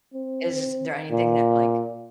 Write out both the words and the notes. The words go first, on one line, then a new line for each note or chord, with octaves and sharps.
is there anything that like
C4
A#2